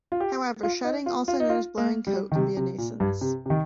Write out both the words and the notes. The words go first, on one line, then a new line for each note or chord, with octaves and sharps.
However, shedding, also known as blowing coat, can be a nuisance.
F4
G4
F4
D#4
F4
F4
D#4
F4
A#3
G3
D#3
C3
C3
A#2
G2
C3
C3
D#3